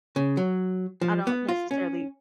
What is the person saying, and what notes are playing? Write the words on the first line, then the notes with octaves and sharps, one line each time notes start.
I don't necessarily
C#3
F#3
F3
B3
F4
C#4